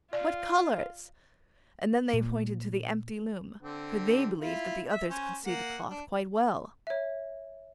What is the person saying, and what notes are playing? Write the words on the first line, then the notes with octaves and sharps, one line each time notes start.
What colours!' And then they pointed to the empty loom, for they believed that the others could see the cloth quite well.
F4 D5
A#2
D3 C4
E4 F4
E5
C#4 C5
A#3 F#5
D4
C#5 E5